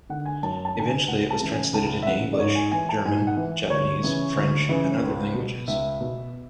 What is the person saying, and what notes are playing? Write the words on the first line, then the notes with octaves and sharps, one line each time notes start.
Eventually it was translated into English, German, Japanese, French, and other languages.
D3 F#5
G#5
F#2 A5
A5
D3 A5
G#5
C#2 F#5
A5
C#3 E3
G#5
C#2 A5
E5
C#3 E3 F#5
D5
G#2 C#5
G#5
E3 G#5
A5
G#2 G#5
F#5
E3
D2 C#5
C#3 E3
D2
C#3 E3
C#2
B2
C#2 E5
B2